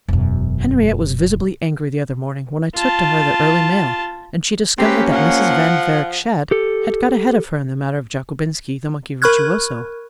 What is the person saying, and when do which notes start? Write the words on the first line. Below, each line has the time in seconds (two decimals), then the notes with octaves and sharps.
Henriette was visibly angry the other morning when I took to her the early mail and she discovered that Mrs. Van Varick Shadd had got ahead of her in the matter of Jockobinski, the monkey virtuoso.
0.08 E1 F#2
2.76 F4 A5
4.78 A#3 C4 C#4 G4 B4
5.12 F3 F#5
6.51 G4 A4
9.22 A#4 B5 C#6 F6 F#6 G#6